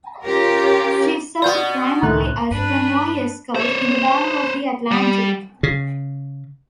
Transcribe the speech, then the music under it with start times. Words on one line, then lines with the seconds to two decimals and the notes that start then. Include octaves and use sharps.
She served primarily as a convoy escort in the Battle of the Atlantic.
0.23 C#4 F4 G4 A#4
1.42 B2 B3 D5 G6
2.03 C#2 A2 D#3 E3 A3 F#6
2.51 G2 D4 B4
3.56 C5 C#5
4.91 G3
5.63 C#3